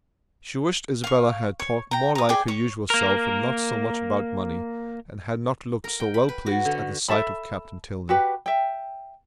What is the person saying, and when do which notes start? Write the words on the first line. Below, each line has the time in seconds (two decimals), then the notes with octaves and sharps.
She wished Isabella had talked more like her usual self, and not so much about money, and had not looked so well pleased at the sight of Captain Tilney.
1.04 F5 C#6
1.60 C#5
1.91 G5 A#5
2.15 A#5 D#6
2.29 G#4 D5 G5 G#5
2.48 C#5
2.90 A#3 A#4
5.84 A#4
6.00 G5
6.14 B5
6.29 B4
6.46 F#4
6.65 D3
7.08 A4 E5 A5 B5
8.09 F#4 G4 B4
8.46 E5 G5